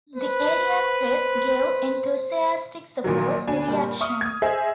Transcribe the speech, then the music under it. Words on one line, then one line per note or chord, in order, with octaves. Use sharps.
The area press gave enthusiastic support to the actions.
B4 C5
A#1 A#2 D#3 F#3
D2 D4 G#5
G2 A#2 G3
E5 C#6 D#6 F6
D#6 G#6
G#4 C5 D#5 E5